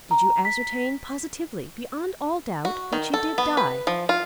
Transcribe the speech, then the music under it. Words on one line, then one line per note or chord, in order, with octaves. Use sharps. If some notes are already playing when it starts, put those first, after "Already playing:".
"Did you ascertain positively, beyond all doubt, that she did die?"
A#5
B6
F#4
D#3
A4
B3
B4
F3
F4